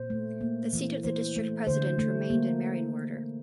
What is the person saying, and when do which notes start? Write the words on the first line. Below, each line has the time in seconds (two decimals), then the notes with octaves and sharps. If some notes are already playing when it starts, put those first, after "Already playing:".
The seat of the district president remained in Marienwerder.
Already playing: A#2 C5
0.10 A3
0.41 A#3
0.73 E3
1.04 E3 C5
1.36 A3
1.67 D3 C5
1.98 A3
2.30 A#3